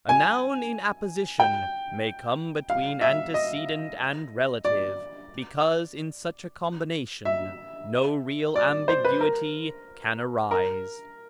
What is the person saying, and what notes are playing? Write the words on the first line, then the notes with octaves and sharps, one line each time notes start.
A noun in apposition may come between antecedent and relative, because in such a combination no real ambiguity can arise.
G#5
G5
F5
E5
D#5
D5
E5
D5
C5
B4
A#4
A#4